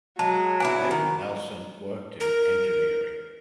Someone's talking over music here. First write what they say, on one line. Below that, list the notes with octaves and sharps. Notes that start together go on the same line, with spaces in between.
David Nelson worked in engineering.
F#3 G#3 A5
B3 D4 E4 G#5
D#3
A#4